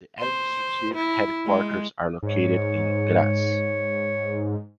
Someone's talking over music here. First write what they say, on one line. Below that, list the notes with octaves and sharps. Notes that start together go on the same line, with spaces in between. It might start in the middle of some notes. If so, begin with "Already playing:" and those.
The administrative headquarters are located in Graz.
C5
E4
G#3
G#2 C#5